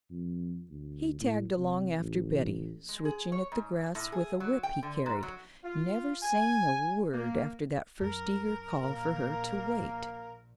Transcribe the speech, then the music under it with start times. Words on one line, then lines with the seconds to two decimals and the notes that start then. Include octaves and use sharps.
He tagged along after Betty, switching at the grass with a whip he carried, never saying a word after that first eager call for her to wait.
0.11 F2
0.69 D2
1.20 A2
1.57 C3
1.98 A1
2.89 G#3
3.05 G#4
3.32 C#5
3.52 G#2
3.95 A2
4.12 G#4
4.40 F#3
4.63 G5
4.83 D3
5.06 G#2
5.23 F#3
5.64 F4
6.22 G#5
7.13 A#3
8.01 F#2 A#4
8.84 A#1 A#2 A#3